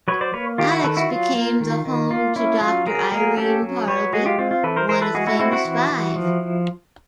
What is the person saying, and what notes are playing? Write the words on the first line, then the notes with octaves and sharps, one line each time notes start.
Alix became the home to Doctor Irene Parlby, one of the Famous Five.
F#3 B4 C#5
C5 D5
A#3 B4 C#5
D#3 F4 G4
E4 F#4
D#3 A4 B4
E4 F#4
F#3 F4
A#3
D#3
D#3
A#3 F4
C#4 E4
F#3 F4
F#3 G#4 A#4
A#3 G#4 A#4
C#4 G4 A4
F#3
F#3 B4 C#5
G#3 F#4 G#4
F4 G4
C4 F4
F4
E3 A4 B4
A#4 C5
E3 A#4 C5
A4 B4
G#3 F#4 G#4
E4 F#4
C4 E4 F#4
E4 F#4
E3
E3
F3